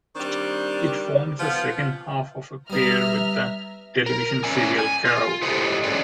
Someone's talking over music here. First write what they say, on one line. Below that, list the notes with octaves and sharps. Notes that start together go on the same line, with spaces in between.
It forms the second half of a pair with the television serial "Karaoke".
D#3 G3 C4 D4
F3 B3 F4
G3 B3 E5 A#5 F6
A#4
C#4 F4 D5 E5 G#5
G#5
F4
E4 G4 A4 C5 D#5
C#4 F#4 G#4 C5 D5